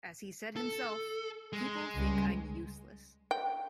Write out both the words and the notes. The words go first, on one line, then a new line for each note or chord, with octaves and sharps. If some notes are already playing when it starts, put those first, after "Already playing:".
As he said himself: People think I'm useless.
A4
G#3
C#2 G3
G5